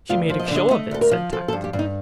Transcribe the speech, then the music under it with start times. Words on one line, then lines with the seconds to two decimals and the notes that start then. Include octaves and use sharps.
"She made a show of it," said Tackleton.
0.09 D2 F4
0.29 F3
0.39 D#5
0.48 D5
0.51 D3
0.56 D#5
0.71 A3 D#5
0.91 D2 A4
1.01 A#4
1.11 F3
1.32 F3 A4
1.48 A4
1.53 G2
1.64 G4
1.73 G2
1.79 D#4